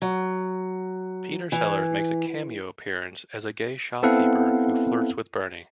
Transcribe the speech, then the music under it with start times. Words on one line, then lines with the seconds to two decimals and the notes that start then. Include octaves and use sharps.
Peter Sellers makes a cameo appearance as a gay shopkeeper who flirts with Bernie.
0.02 F#3
1.52 E3
4.03 B3 C4 E4 A4 F5 F#5